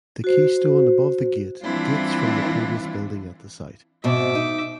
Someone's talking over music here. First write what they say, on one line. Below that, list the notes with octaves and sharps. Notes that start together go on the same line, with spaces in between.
The keystone above the gate dates from the previous building at the site.
F#4 C5
E3 G3 C4 D4 E4 F4
G#2 B2 C4 E5 D6
D#4